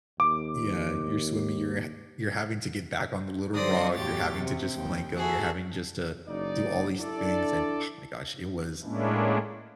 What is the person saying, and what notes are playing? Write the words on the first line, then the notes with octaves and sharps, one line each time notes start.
Yeah, you're swimming. You're ha you're having to get back on the little rock. You're having to just flank 'em. You're having just to do all these things, and, oh my gosh, it was
D#2 D6
D3 F#3 C5 D5 D#6 A#6
E2 A2 F#4 G4 C#5 A6
C3
D#2 G5
E4 F#4 G#4 A4
F#1 D#4 D5
D4 E4 A4 D5
A2 G#3 A#3 C#4 D4 E4